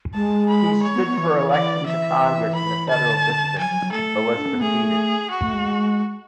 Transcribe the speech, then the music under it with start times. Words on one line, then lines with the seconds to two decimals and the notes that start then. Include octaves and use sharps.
He stood for election to Congress in the Federal District but was defeated.
0.14 G#3 A5
0.48 B5
0.82 C#5
0.94 B3
1.06 B3
1.18 E3
1.51 D5
1.85 E3 E5
2.55 B5
2.89 D3 A5
3.58 F#3 G#5
3.70 F#3
3.81 F#3
3.92 A3 A4
4.37 D4
4.45 C#4
4.54 B3
4.61 A3 G#4
5.30 F#4
5.41 A3
5.54 G#3